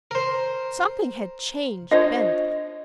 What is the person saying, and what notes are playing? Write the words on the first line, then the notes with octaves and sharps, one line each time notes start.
Something had changed Benda.
A#4 C5
D4 F4 C5 C#5 D#5